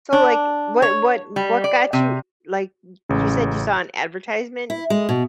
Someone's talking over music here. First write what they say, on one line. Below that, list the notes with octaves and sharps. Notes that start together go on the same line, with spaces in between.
So, like, what what what got you, like you said you saw an advertisement
D4
C#5
G3
D5
C3
A1 C#3
E4
G#3
B2